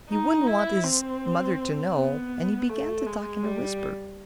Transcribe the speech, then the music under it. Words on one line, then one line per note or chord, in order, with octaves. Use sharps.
He wouldn't want his mother to know, and he began to talk in a whisper.
D#4
E4
C4
B3
A3
G#3
G3